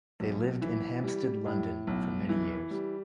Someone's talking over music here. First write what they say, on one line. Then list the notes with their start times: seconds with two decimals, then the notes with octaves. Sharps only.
They lived in Hampstead, London for many years.
0.20 B1
0.62 E3
1.04 G3
1.46 A2
1.87 B1
2.29 E3
2.71 G3